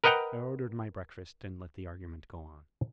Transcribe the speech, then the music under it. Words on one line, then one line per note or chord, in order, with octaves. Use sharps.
I ordered my breakfast and let the argument go on.
A#4 B4 D#5 F#5 G5 A#5